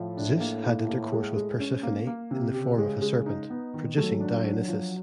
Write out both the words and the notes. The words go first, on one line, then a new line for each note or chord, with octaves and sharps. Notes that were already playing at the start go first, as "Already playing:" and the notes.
Zeus had intercourse with Persephone in the form of a serpent, producing Dionysus.
Already playing: A2 F3
D4
A#3
A#3
A#3
G#3
G#3
C#4
A#3
A#3
C3
C#3 G4
G#3
G#3
D#4
B3
D#3
F#3 A3
D4
D4
F3